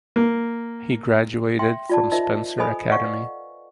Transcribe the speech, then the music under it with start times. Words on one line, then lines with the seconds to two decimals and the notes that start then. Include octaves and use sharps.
He graduated from Spencer Academy.
0.16 A#3
1.59 E5 G5 C6
1.89 F4 D5 A5
2.12 D#4 F4 A#4 C5 D#5 E5
2.58 A4 C5 D#5 G#5 B5 D#6
2.89 D5 D#5 F5 F#5 C#6
3.04 B4